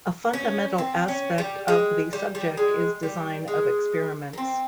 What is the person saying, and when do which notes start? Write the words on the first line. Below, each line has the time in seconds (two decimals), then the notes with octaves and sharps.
A fundamental aspect of the subject is design of experiments.
0.33 C#4
0.78 C4
1.08 C#4
1.38 G3
1.68 G#3
2.13 G3
2.35 G3
2.57 G#3
3.03 G3
3.48 G#3
4.33 A#3
4.38 C4